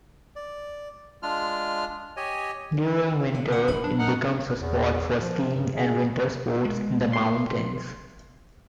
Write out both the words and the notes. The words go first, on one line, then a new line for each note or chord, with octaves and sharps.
During winter it becomes a spot for skiing and winter sports in the mountains.
D5
G#3 D4 F4 F6
G4 C#5 D#5 G#5
D3
F#5
D1 A#1 E3 B5
F#2 D4
D#4 A#4 F#5
E2
F3
G2
G#4
G#3
C6